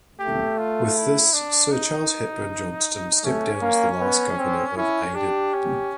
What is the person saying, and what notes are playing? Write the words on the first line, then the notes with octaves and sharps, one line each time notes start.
With this Sir Charles Hepburn Johnston stepped down as the last Governor of Aden.
A3 G4
F4
E4
D4
D#4
A3 C#4
A#3
B3
C4
C#4 E4
D4 G4
C#4